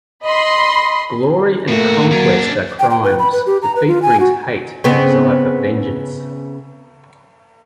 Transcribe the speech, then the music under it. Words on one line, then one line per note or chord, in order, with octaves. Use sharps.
Glory and conquest are crimes; defeat brings hate and desire for vengeance.
D#5 B5 C6
A2 A3 A#3 F#4
F#3 C#4 D4
G5
G5
B4
B5
B4
G4
A#5
B4
F4
G#5
F#4
C#3 B3 C4